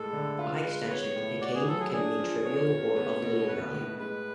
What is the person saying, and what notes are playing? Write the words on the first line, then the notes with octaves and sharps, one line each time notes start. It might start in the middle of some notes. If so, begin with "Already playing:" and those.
By extension, picayune can mean "trivial" or "of little value".
Already playing: A2 G#3 A4
D3
F4 B4
G#3
B3 C#5
A2
F#4 D5
G#4
F#3 A4
G#4
D4 G#4
F3
B3 C#5
C#3
B3
B2
B3 B4
A2
G#3 B4